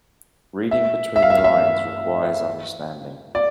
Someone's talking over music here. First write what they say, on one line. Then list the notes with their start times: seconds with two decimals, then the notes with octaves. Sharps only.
Reading between the lines requires understanding.
0.71 E5
1.16 E5
1.22 F5
1.30 E5
1.37 F5
1.44 E5
3.35 D5